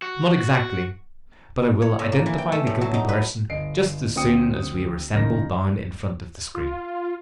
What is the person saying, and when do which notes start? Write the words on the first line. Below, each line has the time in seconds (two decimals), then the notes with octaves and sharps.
"Not exactly, but I will identify the guilty person just as soon as we are assembled down in front of the screen."
0.02 F#4
1.82 C#5
1.99 A2
2.12 A#3
2.26 E3
2.38 G5
2.52 A3
2.67 A2
2.81 F#3
2.94 D#4
3.09 B4
3.50 G1 D#5 C7 D7
4.16 D2 C4 F#4 G5 D#6 C#7
5.14 F#1 D#3 A#4 A#6
6.54 F4